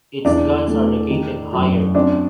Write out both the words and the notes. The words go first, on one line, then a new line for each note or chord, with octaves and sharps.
Its guns are located higher.
E2 D4 D5
A3
D#3
F#2
C4 D4 D5